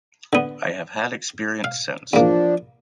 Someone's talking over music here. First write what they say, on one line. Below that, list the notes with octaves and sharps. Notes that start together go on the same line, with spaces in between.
I have had experience since.
D3 B3
F5
E2 F3 A#3 D4